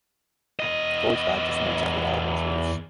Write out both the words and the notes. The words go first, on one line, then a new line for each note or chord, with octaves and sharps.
George died just months after the album's release.
E2 D#5